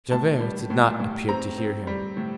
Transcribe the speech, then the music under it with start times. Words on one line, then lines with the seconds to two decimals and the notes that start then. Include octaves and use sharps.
Javert did not appear to hear him.
0.11 A2 A5
0.41 G3
0.70 A2
1.00 A2
1.28 C4 A#5
1.58 C4
1.87 G3
2.17 A2